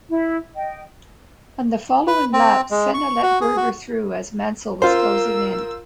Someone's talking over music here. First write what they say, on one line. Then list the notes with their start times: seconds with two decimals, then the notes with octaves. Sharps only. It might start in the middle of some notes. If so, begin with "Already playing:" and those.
On the following lap Senna let Berger through as Mansell was closing in.
0.09 E4
0.55 D#5 G5
2.07 B4
2.33 C4
2.71 G#3
2.94 C#6
3.23 F#4
3.41 G#4
3.57 F#4
4.82 F4 A#4 C5 E6